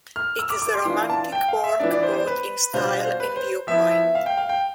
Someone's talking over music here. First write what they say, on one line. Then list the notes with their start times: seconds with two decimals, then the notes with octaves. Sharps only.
It is a romantic work, both in style and viewpoint.
0.16 F6
0.39 E6
0.50 D6
0.62 D6
0.74 C6
0.85 E3 B3 D4 F4 C6
1.10 A5
1.32 G5
1.48 F5
1.64 E5
1.80 E3 B3 D4 D5
1.91 D5
2.03 C5
2.15 C5
2.27 B4
2.73 B2 G3 D4 F4 C5
3.04 C5
3.20 B4
3.36 C5
3.67 F3 B3 E4 E5
3.91 E5
4.15 F5
4.26 G5
4.38 F5
4.49 G5